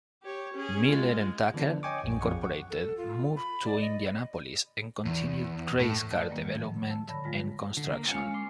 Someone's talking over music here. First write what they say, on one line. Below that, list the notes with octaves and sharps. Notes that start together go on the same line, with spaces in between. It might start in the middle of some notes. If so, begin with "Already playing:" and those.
Miller and Tucker, Incorporated moved to Indianapolis and continued race car development and construction.
G4 C#5
C#4 G#4
G#3 F4
D3 F3 B3 D4
C#5 D#5 G5 G#5 C#6 D6
A#1 F#2
F2 F3 G#4 F#5 C#6
F#5
A4
F4
B5
D5
D#5
E2
A2
B4 D5 F#5 A5
G#2 D#3 F#3 G3 A#3
E2 F3
A5 E6
A2 D3 C#5 A5 B5 A#6
F3 G3 G#3 F4 A#6
D3
A#3
G#3 C#4 F4 C#5 F5 G#5
C6 D6